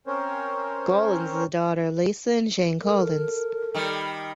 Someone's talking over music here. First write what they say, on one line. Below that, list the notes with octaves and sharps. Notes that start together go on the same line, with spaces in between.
Collins is the daughter of Lisa and Shane Collins.
C4 C#4 A#4 C5 C#5
A4 A#4
D#3 G3